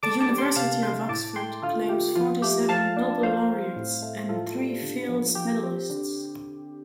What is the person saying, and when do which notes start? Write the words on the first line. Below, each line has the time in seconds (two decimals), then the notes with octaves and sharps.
The University of Oxford claims forty-seven Nobel Laureates and three Fields Medallists.
0.03 D3 A5 D6
0.20 A5 D6
0.29 G3
0.38 G5 C6
0.56 C3 F5 A5
0.83 A3 G5 C6
1.09 A2 A5 D6
1.36 A3 G5 C6
1.62 D3 F4 A4
1.89 A3 G4
2.15 F3 F4
2.42 A3 G4
2.69 F3 F5 A5
2.97 D4
3.23 F3 C5 F5
3.50 C4
3.76 A2
4.02 A3
4.29 A2 F4 A4
4.55 G3
4.82 D3
5.09 F3
5.35 F3 G4
5.63 C4
5.90 D3